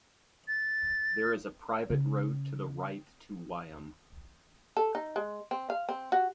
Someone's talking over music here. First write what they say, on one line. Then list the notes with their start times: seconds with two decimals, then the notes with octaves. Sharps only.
There is a private road to the right to Wyham.
0.48 A6
1.90 C#3
4.77 A4
4.95 D#4
5.16 G#3
5.51 C4
5.70 F5
5.89 C4
6.12 F#4